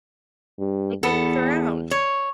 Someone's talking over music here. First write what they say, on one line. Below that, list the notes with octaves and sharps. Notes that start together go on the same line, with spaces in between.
It gets around.
G2
E2 B3 A4
C#5